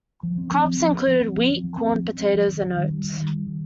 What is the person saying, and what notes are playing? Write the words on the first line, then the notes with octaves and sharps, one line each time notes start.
Crops included wheat, corn, potatoes and oats.
F3
C4
C4
F3
F3
C4
C4
F3
F3
C4
F3
C4
F3
C4
C4
F3
D#3
D#3
G3
G3
D#3
G3
G3
D#3